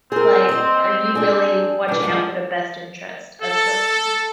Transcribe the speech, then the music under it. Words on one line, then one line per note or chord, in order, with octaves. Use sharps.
Like, are you really watching out for the best interest of children?
C4 G#4 A#4
C5 D#5
D4 G#4
E3 C#4 D4
F#2 F3 G#3
A4